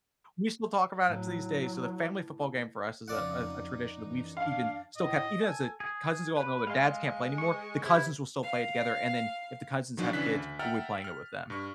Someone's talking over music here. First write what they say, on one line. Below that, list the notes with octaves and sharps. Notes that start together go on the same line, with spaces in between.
We still talk about it to these day, so the family football game for us is a a a tradition that we've even still kept even as the cousins are all grown, their dads can't play anymore, the cousins will still play it together, and then if the cousins have kids, we'll be playing it with them.
A2 F#3
F2 C#3 F3 D#4 F4 D5 F#5
D#4
F#2 E3
D4 F5
A2 D#5
A4 G#5
G#4
B4
G#3 F5 C6
C#6
C3 E4
F5
D#3 F3 F#3 D4 D#4
C#3 E3 D4 F#6 B6
D2
E5 F#5 G5 A#5 F6 A6
F6
G2 C#6